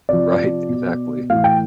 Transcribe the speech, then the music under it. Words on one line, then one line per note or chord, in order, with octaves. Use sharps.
Right, exactly.
C3 F3 D5
B2
A2 E3 F5
G5